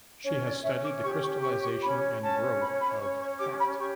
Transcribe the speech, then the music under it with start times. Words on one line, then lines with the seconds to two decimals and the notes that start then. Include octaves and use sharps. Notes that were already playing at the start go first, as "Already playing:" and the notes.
She has studied the crystallisation and growth of fat.
0.24 C#4 C#5
0.36 C#5
0.43 D5
0.63 C#4 E5
0.83 D6
1.03 G4 C#6
1.22 C#6
1.42 C#5 C#6
1.62 C#6
1.81 C#4 B5
2.21 C#4 A5
2.60 C#5 B5
2.80 B5
2.99 C#4 C#6
3.20 C#6
3.39 G4 D6
3.59 B5
3.78 G4 C#6